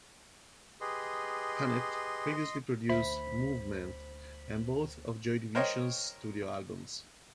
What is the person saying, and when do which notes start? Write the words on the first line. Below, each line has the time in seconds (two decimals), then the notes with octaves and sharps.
Hannett previously produced "Movement" and both of Joy Division's studio albums.
0.81 G4 G#4 B4 D#5 C6
2.89 D2 C5 E5 B5
5.55 A#4 C5 C#5 D#5 G5